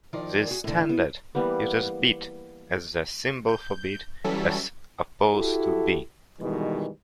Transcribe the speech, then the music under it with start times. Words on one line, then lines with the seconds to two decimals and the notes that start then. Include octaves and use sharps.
This standard uses 'bit' as the symbol for bit, as opposed to 'b'.
0.13 D#3 F3 A#4 D5
0.47 F#4 G#4
0.64 A2 D3
0.89 B3
1.35 E3 G3 A#3 B3
3.49 G6
4.24 E3 F#3 G3 C#4 A4 B6
5.34 E4 F#4 G4 A4
6.41 B2 D#3 E3 G3 G#3